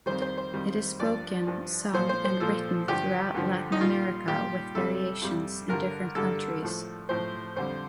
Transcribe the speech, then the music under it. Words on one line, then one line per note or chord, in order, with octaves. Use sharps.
It is spoken, sung and written throughout Latin America with variations in different countries.
F2 D#3 G3 C5
C5
C5
F2 D#3 G3
G2 F3 D5
G2 F3
A#2 F3 C5
C5
C5
A#2 F3 A4
G2 D3 F3 G4
G2 D3 F3
D#4
A#2 G3 F4
A#2 G3 G4
F2 C3 G3 A4
F2 C3 G3
G2 D3 G3 A#4
G2 D3 G3 A4
A2 F3
A2 F3 C5
F2 D3 G3 C5